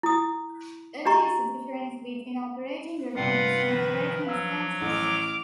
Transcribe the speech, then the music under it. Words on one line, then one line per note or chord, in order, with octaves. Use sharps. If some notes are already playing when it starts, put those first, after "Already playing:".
It is the difference between operating revenues and operating expenses.
E4 D#6
D4 G4 D#5 A#5 C#6
G2 C3 F4 B4 F5 F#5
D#3 F3
F#3 F5 E6
A1 D6 F6